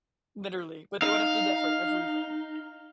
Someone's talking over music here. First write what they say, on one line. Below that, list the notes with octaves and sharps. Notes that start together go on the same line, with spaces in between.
Literally, but they would have did that for everything.
D#4 F5